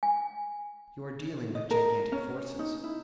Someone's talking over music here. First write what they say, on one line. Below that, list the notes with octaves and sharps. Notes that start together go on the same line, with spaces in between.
You are dealing with gigantic forces.
G#5
D#5
A#4
C#4
D#4
E4